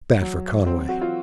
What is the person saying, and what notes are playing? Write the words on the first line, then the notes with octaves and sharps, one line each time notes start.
Bad for Conway.
F#3
C4
F#4
F4